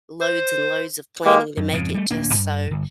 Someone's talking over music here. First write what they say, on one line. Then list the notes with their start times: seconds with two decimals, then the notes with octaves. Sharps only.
loads and loads of planning to make it just so
0.21 C5
1.25 G#3 A#3 G4
1.57 F#2
1.73 F2 G#2 C#3
1.94 G3 A3
2.11 D1 A#3 D4
2.34 F#2
2.71 G1